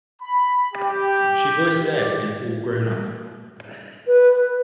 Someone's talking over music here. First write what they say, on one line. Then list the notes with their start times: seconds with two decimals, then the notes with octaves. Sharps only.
She voiced Z in "All Grown Up".
0.21 B5
0.74 G4
4.07 B4